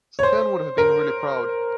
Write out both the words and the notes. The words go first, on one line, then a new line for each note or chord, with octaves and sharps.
Stan would have been really proud.
C#5
C5
A#4